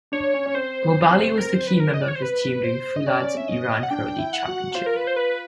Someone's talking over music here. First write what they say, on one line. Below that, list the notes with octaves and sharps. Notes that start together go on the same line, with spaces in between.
Mobali was the key member of his team during Foolad's Iran Pro League championship.
D4 C#5
C#4
C#4
C4 C5
B3
C4
A#4
C5
B4
A#4
D#5
D5
C#5
C5
B4
C5
D#5
C#4 D5
E5
D#5
F#5
D4 G5
E4
F#5
F#4
F4 C5
A#4
B4
C5
B4